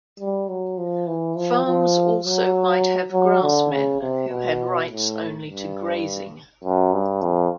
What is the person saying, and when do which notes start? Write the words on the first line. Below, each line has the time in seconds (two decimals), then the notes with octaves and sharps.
Farms also might have grassmen, who had rights only to grazing.
0.20 G3
0.49 F#3
0.78 F3
1.07 E3
1.36 F3
1.66 F3
2.25 F#3
3.12 F#3
3.42 D3
3.71 C#3
4.01 C3
4.29 B2
4.88 A2
5.47 G2
6.64 F#2
6.93 G2
7.22 F2